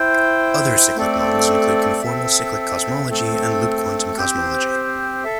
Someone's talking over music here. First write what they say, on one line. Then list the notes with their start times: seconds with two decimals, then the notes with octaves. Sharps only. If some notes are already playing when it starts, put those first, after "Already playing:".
Other cyclic models include Conformal cyclic cosmology and Loop quantum cosmology.
Already playing: E4 C5 G5
0.96 A3 C4 A4 D5
2.03 C4 A4 E5
3.10 A3 C4 A4
4.17 C4 G4 C5
5.24 A4 E5